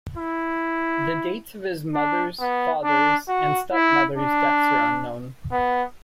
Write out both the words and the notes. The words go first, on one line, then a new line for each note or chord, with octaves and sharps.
The dates of his mother's, father's, and stepmother's deaths are unknown.
E4
D4
B3
D4
F#4
E4
D4
B3